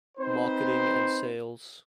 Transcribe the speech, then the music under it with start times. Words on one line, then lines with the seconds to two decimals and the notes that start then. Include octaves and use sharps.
Marketing and Sales.
0.18 C4 D#4 B4 C5